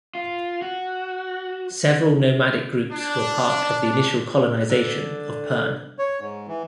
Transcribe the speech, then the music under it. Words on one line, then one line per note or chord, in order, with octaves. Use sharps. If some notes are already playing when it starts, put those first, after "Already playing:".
Several nomadic groups were part of the initial colonization of Pern.
F4
F#4
D4
D3
C#5
G#2
E3